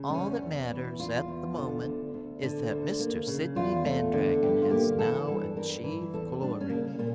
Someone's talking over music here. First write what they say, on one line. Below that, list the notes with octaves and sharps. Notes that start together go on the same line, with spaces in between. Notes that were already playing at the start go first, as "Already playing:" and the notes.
All that matters at the moment is that Mr. Sidney Mandragon has now achieved glory.
Already playing: C#3
D4
E2 C#4
E2
E3
E2 F4
E2
D3
D2
D2
D3
D2
A#3
C#3
E2 F4
A3
D3
G2 G4
F4
A#3 G4
E3 A4
G2 A4
G2 A#4
E3
E2 A4
G3 D4
C#4
C#3 A#3
A#2 A#3